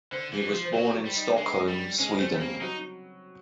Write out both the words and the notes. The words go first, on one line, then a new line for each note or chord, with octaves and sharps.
He was born in Stockholm, Sweden.
D3 C5
E3
F3
C5
F#3 C#5
G3
D#4
G#3 D4
G3
G#3 C#4
A3 C4
G3 A#3
F#3 D#4